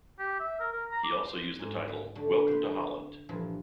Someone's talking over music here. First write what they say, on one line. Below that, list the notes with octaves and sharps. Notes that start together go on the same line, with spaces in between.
He also used the title "Welcome to Holland".
G4
E5
A#4
A#4
A#5
D6
C5
G#2
D3 A3
B4 C5
G2 A#2 E3 F3